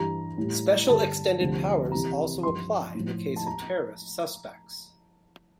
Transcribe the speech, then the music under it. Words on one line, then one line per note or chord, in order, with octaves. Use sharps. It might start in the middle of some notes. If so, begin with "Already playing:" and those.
Special extended powers also apply in the case of terrorist suspects.
Already playing: G2 E3 G3 A#5
A2 G3
G2 D3 G3 A5
D2 C3 F3
C2 C3 E3 G3 A#5
G2 F3 C6
A2 F3
A5
A#5